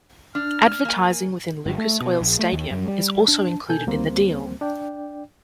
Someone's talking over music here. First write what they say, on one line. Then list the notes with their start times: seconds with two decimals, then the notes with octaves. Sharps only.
Advertising within Lucas Oil Stadium is also included in the deal.
0.35 D4 F6
0.85 A#3 G#5
1.66 G1
1.78 A3
2.01 B2
2.21 A#1
2.39 A3
2.52 D#2
2.71 F#2
2.88 G3
3.28 D4
3.69 B2 A4 G#5 G6
3.87 D2 G3 A#3 C4 C5
4.61 D4 D5 G5